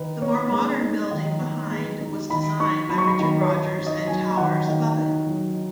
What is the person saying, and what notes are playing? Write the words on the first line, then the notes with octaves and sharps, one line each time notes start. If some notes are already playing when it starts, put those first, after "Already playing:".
The more modern building behind was designed by Richard Rogers and towers above it.
Already playing: D#3 D#4 B4
B3 C#5
G#3
D#4
D#3
B3
G#3
D#4
D#3 B5
D#4 C#6
F#3 B5
C#6
B5
D#3 B5
C#5
D#3
D#4
D#5
F#3 G#5
D#3 F#5
D#3
D#4
F#3